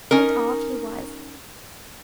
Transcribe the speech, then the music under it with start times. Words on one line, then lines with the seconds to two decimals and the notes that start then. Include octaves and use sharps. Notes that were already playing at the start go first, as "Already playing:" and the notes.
And off he was.
0.11 C#4 D#4 A#4